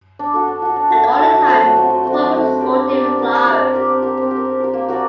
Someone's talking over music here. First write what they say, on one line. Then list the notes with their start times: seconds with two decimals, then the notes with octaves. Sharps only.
And all the time Paul was sporting with Clara.
0.19 D4
0.34 F#4 A4
0.48 D4
0.62 F#4 A4
0.76 D4
0.90 F#4 A4
1.05 D4
1.19 F#4 A4
1.33 F#3
1.47 A3 C4 F#4
1.61 F#3
1.76 A3 C4 F#4
1.90 F#3
2.04 A3 C4 F#4
2.18 F#3
2.32 A3 C4 F#4
2.47 D4
2.61 G4 A#4 D5
2.76 D4
2.89 G4 A#4 D5
3.04 D4
3.18 G4 A#4 D5
3.32 D4
3.46 G4 A#4 D5
3.60 C4
3.74 G4 A#4
3.89 C4
4.02 G4 A#4
4.17 C4
4.31 G4
4.36 A#4
4.45 C4
4.60 G4 A#4
4.74 A#3
4.88 F#4 A#4 D5